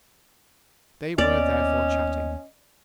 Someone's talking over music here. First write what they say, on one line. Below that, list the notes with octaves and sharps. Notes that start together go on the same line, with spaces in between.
They were therefore chatting.
D#2 B3 C#4 D5 D#5